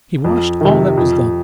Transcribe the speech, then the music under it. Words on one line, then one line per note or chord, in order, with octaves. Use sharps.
He watched all that was done.
F2
C3 D#3
F2